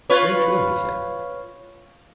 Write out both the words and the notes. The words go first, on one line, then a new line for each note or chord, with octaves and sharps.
Very true, he said.
F4 B4 C#5